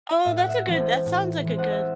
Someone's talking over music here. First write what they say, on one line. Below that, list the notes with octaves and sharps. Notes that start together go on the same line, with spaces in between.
Oh, that's a good that sounds like a good
A2 E5
F#5
E5
E3 G#3 C4
A2
E3 G#3 C4
F#5
E5